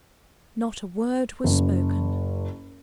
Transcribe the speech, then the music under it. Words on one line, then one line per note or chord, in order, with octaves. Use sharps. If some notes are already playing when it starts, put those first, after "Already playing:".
Not a word was spoken.
F#1